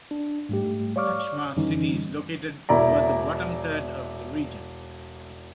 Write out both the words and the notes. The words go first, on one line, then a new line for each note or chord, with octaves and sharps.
Khachmas city is located toward the bottom third of the region.
D4
G#2 G3 A3 G4
C#5 D5 F5 C#6 D6 F6
F#2 D3 E3 G3 C#4 D#4
E1 E4 D5 A#5